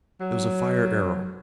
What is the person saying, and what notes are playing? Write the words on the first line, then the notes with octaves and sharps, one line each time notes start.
It was a fire-arrow.
F#3